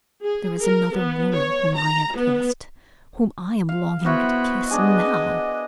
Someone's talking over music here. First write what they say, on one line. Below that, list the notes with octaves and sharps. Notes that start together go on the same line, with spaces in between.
"There is another woman whom I have kissed--whom I am longing to kiss now."
G#4
A#4
B3
C#5
A#5
B3
F5
B3 E4 F#4 C5
B3 D4 G#4 D#5